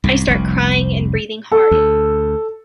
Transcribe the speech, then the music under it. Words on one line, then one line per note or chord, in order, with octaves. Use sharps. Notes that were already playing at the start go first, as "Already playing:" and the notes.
I start crying and breathing hard.
C2 G#2
F1 C2
A4
D2